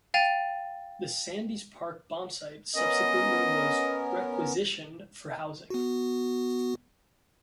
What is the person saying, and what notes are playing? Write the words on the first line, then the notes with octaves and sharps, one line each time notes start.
The Sandheys Park bombsite subsequently was requisitioned for housing.
F5 G5 A6 D#7 F7
B3 C#4 A#4 D#5
B3 F#4